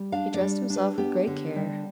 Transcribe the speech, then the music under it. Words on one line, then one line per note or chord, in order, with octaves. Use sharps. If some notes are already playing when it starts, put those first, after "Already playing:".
He dressed himself with great care.
Already playing: G3
D4 F5
D5
G3
D4
B4
B3 G4
D3
G3